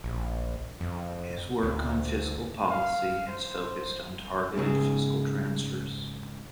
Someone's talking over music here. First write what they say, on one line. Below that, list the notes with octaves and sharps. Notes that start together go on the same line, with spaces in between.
His work on fiscal policy has focused on targeted fiscal transfers.
A#1
F2
D2
F5
C5
G#2 C#3 G#4